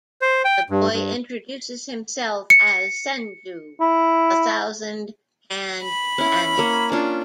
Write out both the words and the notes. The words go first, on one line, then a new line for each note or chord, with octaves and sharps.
The boy introduces himself as Senju, the Thousand-Hand Kannon.
C5
G5
G2
G2
C#7
E4
B5
C#4 E4
A#3 C#5
C#4 D4 F4